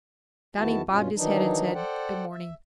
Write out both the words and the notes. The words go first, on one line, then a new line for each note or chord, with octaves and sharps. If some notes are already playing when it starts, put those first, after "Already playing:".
Johnny bobbed his head and said, "Good morning."
E2 D#3 B3 E4 F#4 A5
G2 B2 C#4 F4
D#3 E3 F#3 D4 D#4
A4 C5 D5 F#5 G5
E5